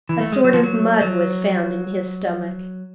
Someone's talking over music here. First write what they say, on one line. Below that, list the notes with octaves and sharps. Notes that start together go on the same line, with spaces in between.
A sort of mud was found in his stomach.
E3
A3
G#3
F#3
F3
F#3
F#3